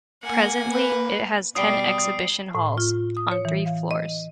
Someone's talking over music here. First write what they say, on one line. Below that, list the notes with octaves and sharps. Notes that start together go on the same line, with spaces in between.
Presently, it has ten exhibition halls, on three floors.
A#3 F#5 G#5
B4
B2 G3 D#6 C7 D7
A2
F4
D#6
C#5
E3
F5
D#5